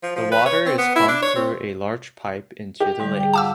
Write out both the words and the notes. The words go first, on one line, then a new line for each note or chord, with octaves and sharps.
The water is pumped through a large pipe into the lake.
F3
F3
B4
C#5
C4
B3
E4
D4
C#5
C4
G4
G#2 D3 G3
G#4 G5
F2 F5 F#5 A5 D6 E6